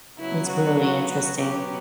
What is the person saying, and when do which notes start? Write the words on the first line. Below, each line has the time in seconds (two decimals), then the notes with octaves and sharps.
It's really interesting.
0.19 C#3 F#3 B3 E4
0.49 F#4
0.79 F#4
1.09 F#4
1.38 B2 F#3 B3 G4